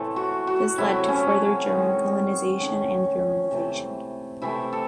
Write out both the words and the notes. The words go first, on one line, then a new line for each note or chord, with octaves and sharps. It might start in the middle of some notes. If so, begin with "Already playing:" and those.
This led to further German colonization and Germanization.
Already playing: A2 C3 E3 A3 A4 C5
F#4
F#4
C3 F#3 A3 E4
C#4
D#3 G#3
D#3 A3 C#4
C3 E3 A3
C3 E3 A3 E4
A4